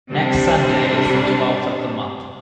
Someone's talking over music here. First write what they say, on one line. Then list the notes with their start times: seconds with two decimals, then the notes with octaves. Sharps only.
Next Sunday is the twelfth of the month.
0.11 C3 G3 D4